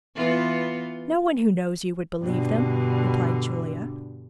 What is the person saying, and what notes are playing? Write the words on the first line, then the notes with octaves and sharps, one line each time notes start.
"No one who knows you would believe them," replied Julia.
E3 B3 F4
G2 B2 D3